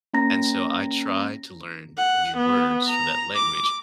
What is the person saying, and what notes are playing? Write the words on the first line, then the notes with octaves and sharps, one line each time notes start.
and so I try to learn new words for that language
A#3 C#4 A#5 A#6
F#5
B3
A#5
D6